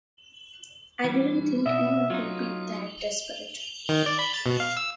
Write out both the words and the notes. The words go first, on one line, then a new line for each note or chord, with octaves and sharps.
I didn't think anyone would be that desperate.
E3 G3
B2 E5
F#3 D#4 F4
D#3
D5
B5
A6
B2
F5
E6